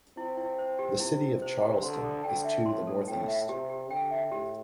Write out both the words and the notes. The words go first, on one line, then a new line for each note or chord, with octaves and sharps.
The city of Charleston is to the northeast.
C4 E4
E4
C5
G4
C3 E4
E4
C5
G4
D3 C6
A4
D3 G5
E5
A2 C6
A4
A2 G5
E5
C3 G4
G4
D3 G5
E5
A2 G4